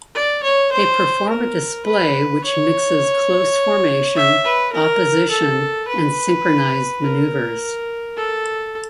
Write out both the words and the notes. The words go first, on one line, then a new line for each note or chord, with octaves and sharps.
They perform a display which mixes close formation, opposition and synchronised manoeuvres.
D5
C#5
C5
A#4
B4
C#5
E5
B4
A#4
A4
B4
A#4
A4